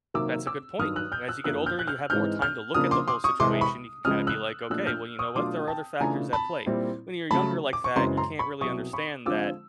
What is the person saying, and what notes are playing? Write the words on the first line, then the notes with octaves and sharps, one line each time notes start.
That's a good point. Whe as you get older and you have more time to look at the whole situation, you can kinda be, like, "Okay. Well, you know what? There are other factors at play." When you're younger like that, you can't really understand that
C3 D#3 F#3 A#3 D6 E6
D6 E6
G2 D#3 F#3 D#6 F6
E6 F#6
F6 G6
E6 F#6
F#2 D3 F3 A#3 E6 F#6
F6 G6
F#6
F6 G6
G#2 E3 G#3 C4 D#4 F6 G6
F6 G6
C#3 F3 A#3 D4 D#6 F6
C6 D6
C6 D6
C#6 D#6
C2 C3 E3 G#3 C6 D6
B5 C#6
C#2 C#3 F3 G#3 D#6 F6
E6 F#6
A#2 F3 A3 D4 E6 F#6
F6 G6
C#6 D#6
B2 F#3 A3 D4 F4 C6 D6
G5 A5
C#3 E3 A3 D4 F4 G#5 A#5
A5 B5
A#2 G3 C4 E4
C#3 F#3 A3 A5 B5
D6
C#6
F#2 C#3 E3 G#3 C4 A#5 C6
A#5 C6
B5 C#6
C2 B2 F#3 C#6 D#6
B5 C#6
D3 F3 G#3 C4 F4 D6 E6